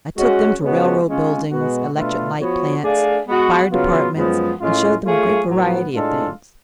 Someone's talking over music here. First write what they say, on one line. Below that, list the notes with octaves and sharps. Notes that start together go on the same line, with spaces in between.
I took them to railroad buildings, electric-light plants, fire departments, and showed them a great variety of things.
G#3 C#4 F#4
C#3 G#3 B3 F#4
G#3 C#4 F4
B2 G#3 B3 F#4
B2 A3 D4 F4 B4
F3 B3 F#4 C#5
A3 D4 G#4 D5 F5
G#3 B3 F#4
C#3 F#3 B3 F4
F#2 F3 G#3 B3
A2 G#3 C#4 F4
A3 F4 G#4 C#5 F5
A2 F#3 B3
A2 G#3 D4 F4 A4